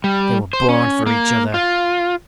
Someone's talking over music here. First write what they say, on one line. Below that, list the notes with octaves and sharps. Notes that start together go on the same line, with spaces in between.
They were born for each other.
G3
C5
C#4
A#3
F4